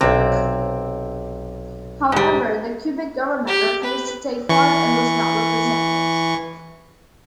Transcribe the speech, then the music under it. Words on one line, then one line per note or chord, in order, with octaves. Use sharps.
However, the Quebec government refused to take part and was not represented.
B1 C3 C4
G#2 G3
G4
B4
E3 C#6